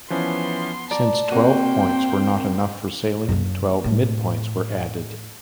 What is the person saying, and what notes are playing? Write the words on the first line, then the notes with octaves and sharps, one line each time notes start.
Since twelve points were not enough for sailing, twelve midpoints were added.
E3 F3 B3 C#4 C6
D5 A5 A#5
A#3 C4 F#4 C5 G5 D#7
F#2 A#3
A2